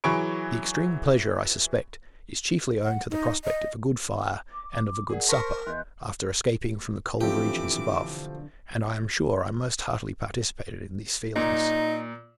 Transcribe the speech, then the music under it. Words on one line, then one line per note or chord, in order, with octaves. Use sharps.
The extreme pleasure, I suspect, is chiefly owing to the prospect of a good fire and of a good supper, after escaping from the cold regions above: and I am sure I most heartily participated in these feelings.
E3 F#3 G#4 B5 C#6 D7
F#5
D#4
D#5
D6
G#4 A#4 D5 F#5
A#4 C5 A5 C6 C#6 A#6 B6 C#7
E2 D#5 C6 F#6 G6
B1 D3 E3 F3 A3 C4 G4 D6
A#2 D#4